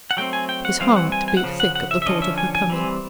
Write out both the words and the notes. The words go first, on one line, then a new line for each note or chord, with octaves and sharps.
His heart beat thick at the thought of her coming.
F#5
F#3 A3 C4 G5
G#5
G5
F#5
E3 G3 C4 F5
F#5
G#5
G#5
F#5
C#3 F3
F#5
F#5
E5
E5
D3 F3 A3 C#4 D#5
E5
G#5
G#5
E3 G3 C4